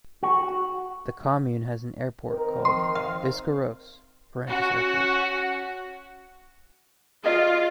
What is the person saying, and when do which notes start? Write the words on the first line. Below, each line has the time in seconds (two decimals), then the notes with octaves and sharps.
The commune has an airport, called Biscarrosse - Parentis Airport.
0.23 F#4
2.28 D#3 C4 A#4
2.65 C6
2.96 F5
4.47 C#4 F#4 F#5
7.24 F4 G#4 D#5